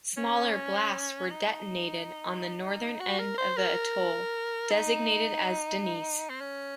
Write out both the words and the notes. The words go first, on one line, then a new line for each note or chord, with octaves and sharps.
Smaller blasts were detonated on the northern end of the atoll, designated as Denise.
C#4
D#4
F#4
A#4
C5
A#4
D#4
C4
C#4